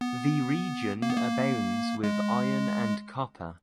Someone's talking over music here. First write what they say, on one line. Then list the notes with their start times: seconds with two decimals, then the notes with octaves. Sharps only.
The region abounds with iron and copper.
0.01 B3
1.02 A#3
1.10 B3
1.17 A#3
2.03 G#3